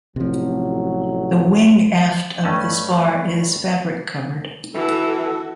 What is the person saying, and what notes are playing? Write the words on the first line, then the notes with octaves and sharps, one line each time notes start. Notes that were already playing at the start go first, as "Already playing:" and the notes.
The wing aft of the spar is fabric-covered.
A1 C3 F3 F#3
G2 A3 C#4 D#5 A5
E3 F#4 A4